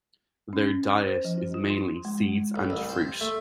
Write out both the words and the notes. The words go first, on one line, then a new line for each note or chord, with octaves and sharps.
Their diet is mainly seeds and fruit.
C#4
C5
F3
F4
C6
G#3
A1
C2
C5
A3